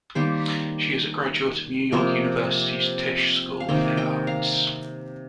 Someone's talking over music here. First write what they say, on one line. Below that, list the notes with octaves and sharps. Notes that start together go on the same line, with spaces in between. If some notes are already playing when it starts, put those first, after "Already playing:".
She is a graduate of New York University's Tisch School of the Arts.
D#3 G3 A#3 G4 C5
C3 F3 A#3 A#4 D#5
F5
C3 D#3 A#3 D#5 G5
D#5 G5
F5 A#5